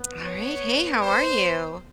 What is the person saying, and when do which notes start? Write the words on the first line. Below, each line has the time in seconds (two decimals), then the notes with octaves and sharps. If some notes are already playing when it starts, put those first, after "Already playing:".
All right. Hey, how are you?
Already playing: B3
0.25 C#5
1.01 C5